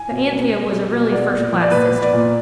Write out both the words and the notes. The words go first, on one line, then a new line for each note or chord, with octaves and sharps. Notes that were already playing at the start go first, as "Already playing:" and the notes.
But Anthea was a really first-class sister.
Already playing: G#5
B2
A#3
A#3
B2
B2
B3 D5
A#2
F3
D5
A#2 B4
B3
D5
A#2